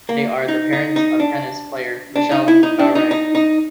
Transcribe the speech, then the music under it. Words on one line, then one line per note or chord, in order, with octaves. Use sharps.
They are the parents of tennis player Michelle Bowrey.
A#3
D#4
D#4
D#4
D4
D4
D#4
E4
D#4
D4
D#4
D#4
D#4